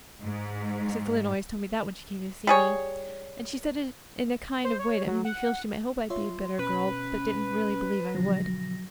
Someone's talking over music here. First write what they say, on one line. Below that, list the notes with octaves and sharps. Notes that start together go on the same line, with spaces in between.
Mrs. Lynde always told me that when she came to see me; and she said it in a kind of way that made me feel she might hope I'd be a better girl but didn't really believe I would.
G#2
G3 G#4 C#5
C5
C#5
F#3
F#5
F4 C#5 E5 C6
B2 C#4 B4
B2 D3 F3 F#3 A#6